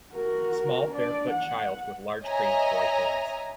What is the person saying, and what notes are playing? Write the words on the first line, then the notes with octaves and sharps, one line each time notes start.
Small barefoot child with large green toy hands.
F#4 A#4
D4 D5
F#5
C#5 D#5 E5 G#5 A#5